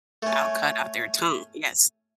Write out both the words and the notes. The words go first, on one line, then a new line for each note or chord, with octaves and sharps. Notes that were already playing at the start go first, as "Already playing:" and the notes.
"I'll cut out their tongue." Yes.
A3 C#4